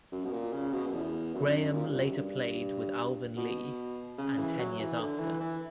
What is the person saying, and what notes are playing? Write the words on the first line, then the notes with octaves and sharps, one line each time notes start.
Graham later played with Alvin Lee and Ten Years After.
F#2
B2
A#2
C#3
B2
F#2
E2
F#2
A#2
G2
F#2
G2
B2
C#3
E3
F#3
E3
D3
E3
E3